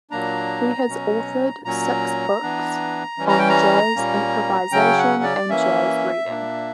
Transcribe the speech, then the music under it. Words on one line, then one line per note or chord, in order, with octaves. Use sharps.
He has authored six books on jazz improvisation and jazz reading.
A#2 F#3 A#3 D4 A#5
B2 F#3 C#4
A#2 F#3 C#4 A#5
E3 B3 D4
E3 G3 C#4
A#5
G5
A#5
A#2 G3 A#3 C#4
C#3 F#3 C#4 G5
F#5
D5
E3 A#3 C#4 E5
A#2 A#3 D4